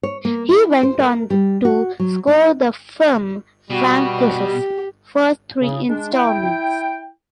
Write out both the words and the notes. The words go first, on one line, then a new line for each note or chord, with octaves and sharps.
He went on to score the film franchise's first three installments.
C#5
A#3
E4
C5
A#4
G3
F#4
F#3
D#4
B2 G3 F#4
G4
C#3
G#3 D4
E4 G5